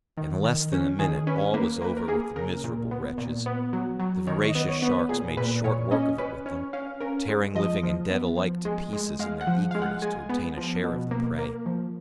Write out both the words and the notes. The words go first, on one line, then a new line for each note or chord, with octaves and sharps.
In less than a minute all was over with the miserable wretches; the voracious sharks made short work of it with them, tearing living and dead alike to pieces in their eagerness to obtain a share of the prey.
D#3
D#3
C#4
D#3 G#4
C#4 B4
A#3 B4
A#3 B4
A#4
A#3 G#4
C#3 A#4
A#2
B3
A#2
B3
F#3
F#3
D#3 C#5
D#5
B3
C#5
B3
B4
A#2 G#4
A#2 B4
A#2 C#5
C#4 D#5
C#4 B4
C#4 C#5
C#4 F5
C#4 A#4
G#3
F3 D#5
F3
B3
F3
G#3
G#3
G#3 F5
F#5
F3
G#3 F5
F#5
G#3 G#5
B3
F3
B2
A#3
A#3
F3